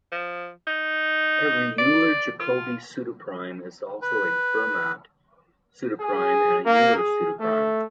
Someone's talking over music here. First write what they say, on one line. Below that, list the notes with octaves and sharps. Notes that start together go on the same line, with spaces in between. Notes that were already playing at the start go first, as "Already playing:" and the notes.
Every Euler-Jacobi pseudoprime is also a Fermat pseudoprime and an Euler pseudoprime.
F3
D#4
D5
F4
B4
G#4
A#3
G#4
A3